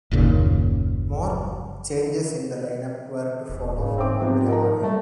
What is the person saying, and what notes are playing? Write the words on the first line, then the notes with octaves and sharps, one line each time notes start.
More changes in the lineup were to follow for Gamma Ray.
F#1 D#2 A#2 C#3
E1
G#2 C#3
C4 E5 D6
C3 F3 B3 C4
D#3 A#4 A5 A#5
G3 A3